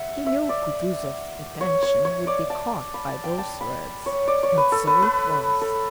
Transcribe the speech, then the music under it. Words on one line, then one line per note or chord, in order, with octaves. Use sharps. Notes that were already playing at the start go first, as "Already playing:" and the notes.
He knew Kutuzov's attention would be caught by those words, and so it was.
Already playing: E5 F#5
E5
D5
C#5
C#5
C#5
D5
A5
B5
A5
G5
A5
B5
C#5
D5
C#5
B4
A4
B4
B4
A4